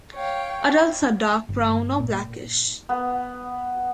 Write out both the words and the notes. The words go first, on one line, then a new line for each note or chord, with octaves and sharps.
Adults are dark brown or blackish.
C#5 F5 G5
G1
A#2
B3